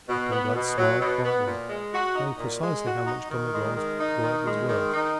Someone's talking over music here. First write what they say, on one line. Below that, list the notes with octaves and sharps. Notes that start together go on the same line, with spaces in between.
Captain Blood smiled quietly, knowing precisely how much Don Miguel's word was worth.
B2
B3
B2
F#3
B2
B3
A#2
G#3
F#4
D#4
A#2
G#3
F#4
D#4
D#3
G#3
D#3
D#4
D#3
G#3
D#3
D#4